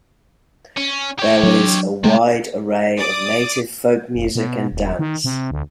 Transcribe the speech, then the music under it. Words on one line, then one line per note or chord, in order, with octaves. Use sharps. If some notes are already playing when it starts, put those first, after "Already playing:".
There is a wide array of native folk music, and dance.
C#4
G4 C#5
F#3 D4
C3 G#3 A3
D5 D6 D#6
F1
B2
D#1
D#3
C3
D2